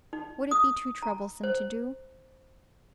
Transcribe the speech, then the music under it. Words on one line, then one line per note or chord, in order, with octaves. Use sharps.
Would it be too troublesome to do?'
D#4
D#6
A#5
C5